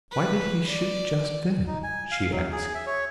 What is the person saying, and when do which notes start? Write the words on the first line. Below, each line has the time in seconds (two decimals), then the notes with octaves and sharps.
"Why did he shoot just then?" she asked.
0.12 B4
0.70 D5
1.67 D#4
1.83 G#5
2.11 F5
2.32 F#3
2.52 G#4
2.75 E5
2.86 C#5